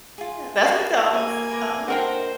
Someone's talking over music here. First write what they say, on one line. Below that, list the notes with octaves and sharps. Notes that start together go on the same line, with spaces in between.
that's McDonald's, uh-huh.
F4 G#4
F#4 A#4 F5 F#5 B5
A#3 G#5
A#4 B4 D6
D4 F#4 A4 A#4 C5 D#5 G5